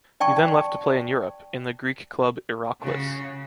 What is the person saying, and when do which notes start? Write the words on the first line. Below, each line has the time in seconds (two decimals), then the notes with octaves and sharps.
He then left to play in Europe, in the Greek club Iraklis.
0.20 D5 G5 A5 C#6
2.81 C#3 F#4